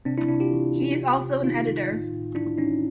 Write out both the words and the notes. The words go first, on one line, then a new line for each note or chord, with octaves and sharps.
He is also an editor.
C3 C4 D4
D4 E4
C3 D4 E4
F4 G4
E3
E3
C3
C3
D#3 D#4 F4
D#3
A2
A2
E3 D4 E4
E3 C#4 D#4